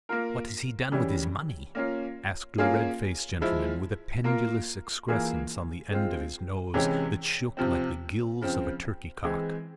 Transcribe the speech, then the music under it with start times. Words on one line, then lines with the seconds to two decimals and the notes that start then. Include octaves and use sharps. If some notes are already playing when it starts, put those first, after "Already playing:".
"What has he done with his money?" asked a red-faced gentleman with a pendulous excrescence on the end of his nose, that shook like the gills of a turkey-cock.
0.09 A#3 F4 A#4
0.91 C#3 E3 G3 C#4
1.75 A#3 C#4 F4
2.58 A#3 C#4 F4 G#4
3.41 F3 G#3 E4
4.24 A#3 F4 A#4
5.08 E3 A#3 F4 G#4
5.91 G#3 C4 F4
6.74 C3 E3 G#3 C#4 G4
7.57 C3 F3 C4
8.41 C#3 F3 C4
9.24 E3 G#3 C4